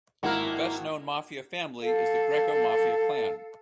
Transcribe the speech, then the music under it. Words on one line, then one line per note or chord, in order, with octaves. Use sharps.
The best known Mafia family is the Greco Mafia clan.
G#1 A#3 E4 A#4 F#5
A4 F5